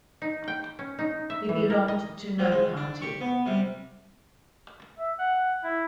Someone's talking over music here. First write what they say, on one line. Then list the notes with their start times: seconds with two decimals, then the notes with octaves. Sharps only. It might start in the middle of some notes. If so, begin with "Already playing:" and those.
He belonged to no party.
0.22 D#4
0.48 G5
0.79 C#4
0.99 D#4
1.30 E5
1.49 E3
1.70 A#4
1.88 D#5
2.39 F3 G3
2.52 G#3
2.77 D4
3.01 G4 C#6
3.21 B3
3.46 C3 G3
4.99 E5
5.19 F#5
5.64 E4